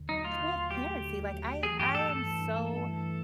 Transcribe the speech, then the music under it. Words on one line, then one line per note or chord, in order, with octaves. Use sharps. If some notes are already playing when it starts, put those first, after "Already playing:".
transparency. Like, I I am so,
Already playing: D#2 D3
F#3 D#4
A3 F4
D3
D#2
F#3 G4
A3
D3
D#2
F#3
A3
E3 G#4
G2 G4
A3 A4
G2 A4
E3
G2
A3
G2
E3